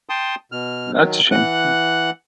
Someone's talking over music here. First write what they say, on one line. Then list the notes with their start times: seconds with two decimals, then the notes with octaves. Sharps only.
That's a shame too.
0.09 G5 A5 C6 D#6
0.52 B2 F6
0.98 D#3 F#3
1.31 E3 F#5 F#6